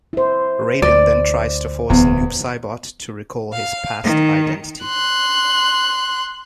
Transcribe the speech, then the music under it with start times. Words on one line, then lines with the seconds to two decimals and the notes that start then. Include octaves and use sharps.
Raiden then tries to force Noob Saibot to recall his past identity.
0.13 E4 C5
0.82 D2 D5
1.90 D1 E2
3.52 F5
4.04 D#3
4.85 C6 F#6